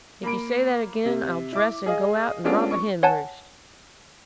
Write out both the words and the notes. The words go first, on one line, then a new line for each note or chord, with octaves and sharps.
"If you say that again I'll dress and go out and rob a hen roost!"
A#3 B5 D7
C3
E4 D6
G#4 D#5 F5
G#3 B3 C#4 D4 F4 A4
C#6
C#5 F#5 G#5 A5